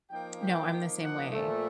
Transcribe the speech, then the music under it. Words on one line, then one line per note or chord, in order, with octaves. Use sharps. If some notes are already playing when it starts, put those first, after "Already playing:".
No, I'm the same way.
F3 A#3 D#4 G5
G5
F#5
A#2 F3 A3